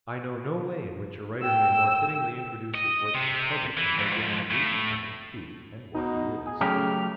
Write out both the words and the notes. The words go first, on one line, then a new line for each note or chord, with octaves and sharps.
I know no way in which a writer may more fittingly introduce his work to the public than by giving a brief account of who and what he is.
G5 E6
D#5
C3
E3
F2 G#2
A2
B2 D#4
G#4
C#3 F#3 A3 G4 F6